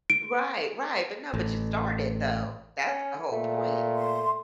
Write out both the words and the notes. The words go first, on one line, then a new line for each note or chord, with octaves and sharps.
Right. Right. But no. But you started, though. That's the whole point.
D7
A1
C#4
A#2 A3
C6